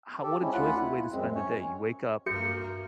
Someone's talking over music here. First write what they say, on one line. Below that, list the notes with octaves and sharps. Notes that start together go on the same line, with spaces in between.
how what a joyful way to spend the day. You wake up,
G4 A4
G#3 C4 C#4 E4
D2 F4 F#5 B5 F#6
E4
F#2 G#3 C4
C#4 C#5
G2 A#3 F#4 A4 E5 G6 C#7